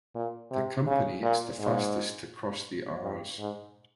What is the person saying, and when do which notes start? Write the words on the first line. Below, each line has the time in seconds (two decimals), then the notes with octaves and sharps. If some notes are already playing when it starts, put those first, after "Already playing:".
The company is the fastest to cross the Rs.
0.15 A#2
0.51 C3
0.87 C#3
1.22 A#2
1.59 G#2
3.03 G2
3.39 G#2